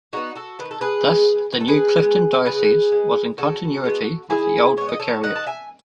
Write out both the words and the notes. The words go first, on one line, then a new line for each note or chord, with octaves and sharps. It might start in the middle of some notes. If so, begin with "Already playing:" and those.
Thus the new Clifton diocese was in continuity with the old vicariate.
G#3 B3 D#4 F#4
F#4 A4
D#3 B4
A4
G#4 B4
G#3 B3
D#3 B4
A4
G#4 B4
G#3 B3
C#3 G#4 B4
G#3 B3
C#3 F#4 A4
G#3 B3
D#3 E4 G#4
G#3 B3 C#5
D#5
A4 C#5
D#3 D#5 F#5
A5
E5 G#5